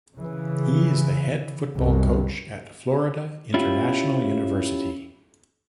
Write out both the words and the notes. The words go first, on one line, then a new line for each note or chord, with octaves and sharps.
He is the head football coach at Florida International University.
C#3 E3
C2 F#2
C#4 E4 F4 G4